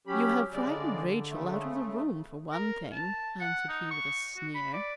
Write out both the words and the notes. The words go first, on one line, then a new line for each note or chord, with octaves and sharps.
'You have frightened Rachel out of the room, for one thing,' answered he with a sneer.
F#3 C#4 G4 B5
C#3 G3 G#3 D5
D3
C#3 A3
A#4
A5
F#5
D#4
C#6
F#4
B5
D5